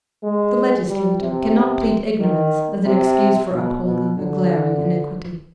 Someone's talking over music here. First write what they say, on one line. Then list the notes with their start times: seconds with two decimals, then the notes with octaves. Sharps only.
The legislator cannot plead ignorance as an excuse for upholding a glaring iniquity.
0.23 G#3
0.89 G3
1.22 C3
2.20 D#3
2.86 C3
3.52 B2
3.85 B2
4.18 D3